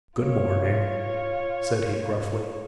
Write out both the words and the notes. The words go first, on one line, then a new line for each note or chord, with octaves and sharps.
"Good morning," said he gruffly.
F4 C#5